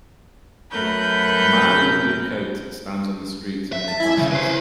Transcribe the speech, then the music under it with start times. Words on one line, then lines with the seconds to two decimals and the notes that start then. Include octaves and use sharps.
A man in a blue coat stands on the street near buses.
0.72 F#2 A3 A#4 B4 G6
3.73 E5
3.88 A5
4.00 E4 G#5
4.18 C#3 F3
4.32 B4 C5